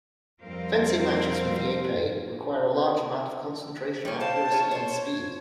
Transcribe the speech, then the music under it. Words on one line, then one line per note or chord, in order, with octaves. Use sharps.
Fencing matches with the épée require a large amount of concentration, accuracy and speed.
F2 G3 C4 A#4 C5 F5
G3 C#4 G5
C5 F5 G5 A5
F4 C#5
C5 C#5
G#6